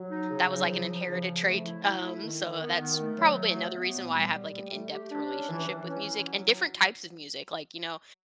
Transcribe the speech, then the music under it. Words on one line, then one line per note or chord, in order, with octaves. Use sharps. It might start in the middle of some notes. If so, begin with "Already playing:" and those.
that was like an inherited trait. Um, so that's probably another reason why I have, like, an in-depth relationship with music, and different types of music. Like, you know,
Already playing: F#3
D#4
C#3
F#3
F3
F3
C#3
F3
A3
E4
E4
A3
D#3
D#3
B3
D#3
A3
F#3
A3
F#3
B3
A#2
G3
G3
A3
A3
G4
D4
C#4
E3
E3
C#4
E4
F#3